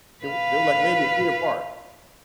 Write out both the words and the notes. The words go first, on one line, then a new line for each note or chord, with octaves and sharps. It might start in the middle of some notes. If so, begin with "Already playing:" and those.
They were they were, like, maybe a year apart.
B4 F5